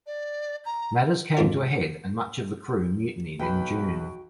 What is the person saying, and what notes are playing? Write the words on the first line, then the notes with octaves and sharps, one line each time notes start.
Matters came to a head and much of the crew mutinied in June.
D5
A#5
B1 F2 G#2 A#3 F4 C#5
B1 F#4 B4 G5 B5